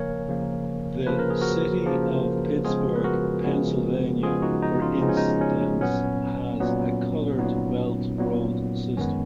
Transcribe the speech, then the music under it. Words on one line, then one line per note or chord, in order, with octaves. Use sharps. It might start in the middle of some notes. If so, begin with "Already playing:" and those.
The city of Pittsburgh, Pennsylvania, for instance, has a colored belt road system.
Already playing: C#3 F3 A#3 A#4 C#5 F5 G#5
C#3 F3 A#3
C#3 F3 A#3 B4
A#4
G#4
F#4 A#4
C#3 F3 A#3
C#3 F3 G#3 B3 F4 G#4
B4
F#4 A#4
C#3 F3 G#3 B3
C#3 F3 G#3 B3 F4 G#4
D#4 F#4
D#4
C#4 F4
C#3 F3 G#3 B3 D#4
C#4
D#4
C#4
A#2 F#3 B3 C#4
A#2 F#3 B3
A#2 F#3 B3 D#4
A#2 F#3 B3
F#2 D#3 G#3 B3 C#4